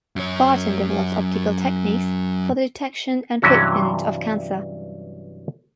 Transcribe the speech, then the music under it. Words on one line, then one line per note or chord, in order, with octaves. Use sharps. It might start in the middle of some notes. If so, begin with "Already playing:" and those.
Barton develops optical techniques for the detection and treatment of cancer.
F#2 C#5
G2 C3 E3 F#3 C#4 F#4